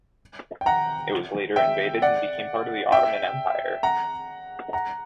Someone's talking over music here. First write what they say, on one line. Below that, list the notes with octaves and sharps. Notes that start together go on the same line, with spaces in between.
It was later invaded and became a part of the Ottoman Empire.
G5
F#5 A#5
E5 G5
D5 F#5
E5 G5
F#5 A#5
F#5 A#5